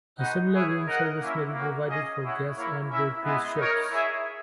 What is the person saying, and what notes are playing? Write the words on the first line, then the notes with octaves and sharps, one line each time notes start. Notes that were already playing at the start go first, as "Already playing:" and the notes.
A similar room service may be provided for guests onboard cruise ships.
G#3 D#4 F#4 B4 F#5
E4 G#4 C#5
D#4 A#4 D#5 F#5
A#3 C#4 E4
A#3 C#4 F#4
C#4 G#4 D#5
E4 G#4 C#5 F#5
A#3 E4 A#4 C#5
C#4 E4 A#4 E5
G#3 B3 E4
D#4 A#4 C#5
E4 G#4 C#5 E5